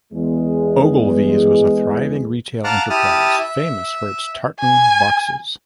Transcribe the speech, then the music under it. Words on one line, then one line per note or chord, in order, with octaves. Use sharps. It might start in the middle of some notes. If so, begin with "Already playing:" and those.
Ogilvy's was a thriving retail enterprise, famous for its "tartan boxes".
E2 G#3
F5 F#5 A5 A#5 D6 F6
E4 G4 A5 D#6 F6
E5
G#5